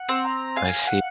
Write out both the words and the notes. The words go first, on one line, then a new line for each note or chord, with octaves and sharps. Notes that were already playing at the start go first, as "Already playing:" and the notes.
I see
Already playing: F#5
C4
A#5
F5 G#5
F#5